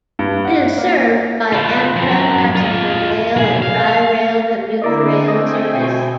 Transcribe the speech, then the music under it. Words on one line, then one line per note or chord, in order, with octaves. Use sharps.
It is served by Amtrak passenger rail and Tri-Rail commuter rail service.
G2
F#5
A#3
F4 B4
F3 C4
F#2 F#3
F4 D#5
B1 G#4
F5
D3 C4 D4 E4 A#4 D5 D#5
A3 C4 D#5 G5 G#5
B2